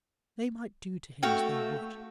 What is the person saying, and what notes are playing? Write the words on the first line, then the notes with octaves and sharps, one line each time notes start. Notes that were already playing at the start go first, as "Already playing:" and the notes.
They might do to him as they would.
A3 F#4 F5 G5